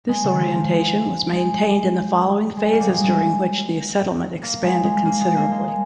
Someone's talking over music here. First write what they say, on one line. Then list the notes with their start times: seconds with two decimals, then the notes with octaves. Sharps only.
This orientation was maintained in the following phases during which the settlement expanded considerably.
0.09 G#3
0.24 C#3
0.32 D#3
0.40 F3
0.55 F3
0.71 G#3
1.33 G#3
2.57 G#3
2.72 A#3
2.80 G3
2.89 G#3
3.04 G#3
4.43 A#3
4.64 G#3
4.84 G#3
5.05 A#3
5.21 G#3
5.37 A#3
5.52 G#3
5.68 G#3